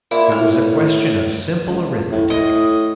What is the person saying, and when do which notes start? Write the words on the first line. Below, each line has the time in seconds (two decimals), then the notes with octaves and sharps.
It was a question of simple arithmetic.
0.11 A#2 E4
0.32 A2 F6
1.69 C#2
2.12 A2
2.30 A2 D#5